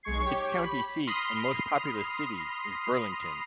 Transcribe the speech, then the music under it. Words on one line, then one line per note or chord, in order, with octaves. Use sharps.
Its county seat and most populous city is Burlington.
B1 G#3 C#6 G#6 C7
G4 C#5
B5
B5 C6 D#6 F6 A#6 C7